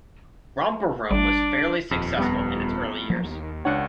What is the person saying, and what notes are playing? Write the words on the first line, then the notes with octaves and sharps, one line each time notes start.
"Romper Room" was fairly successful in its early years.
G#1 G3 D4 D5
D#1 F2
G3 B3 A#5
F3 F#3 A#3
D#2
C#2 D4 C#5 F#5